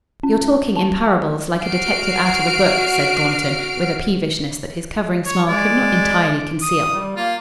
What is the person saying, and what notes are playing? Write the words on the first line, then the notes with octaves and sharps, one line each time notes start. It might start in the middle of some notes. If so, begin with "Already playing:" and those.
"You're talking in parables, like a detective out of a book," said Thornton, with a peevishness that his covering smile could not entirely conceal.
C#4
A5
F#4 F6 C7 D7
C#5
G#3 D5
D#6
G3
A#3 F4